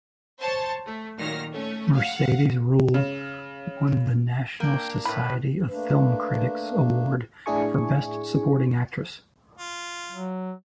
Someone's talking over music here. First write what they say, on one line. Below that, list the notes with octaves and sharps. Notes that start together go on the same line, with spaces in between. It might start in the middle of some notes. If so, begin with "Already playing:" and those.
Mercedes Ruehl won the National Society of Film Critics Award for Best Supporting Actress.
C5 C#5 A5
A3
A#2 D#3 F#3 F6 A#6
A3 C#4
F5 F#5
C#3
A#3 D4 G5
A2 E3 B4 B5
A3 A#3 D4 B4
A2 D4 E4 G#4 G#5 C#6
F4
F#3